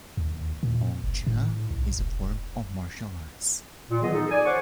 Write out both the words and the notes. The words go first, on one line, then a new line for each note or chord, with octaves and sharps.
Hung Gar is a form of martial arts.
D#2
A#2
F#1
A2
B1
E1
A#2
D#3 E3 F#3 B3 G#4 D#5
D#4 G#4 A4
D5 G#5
A4 C5 C#5 F#5 C#6 D6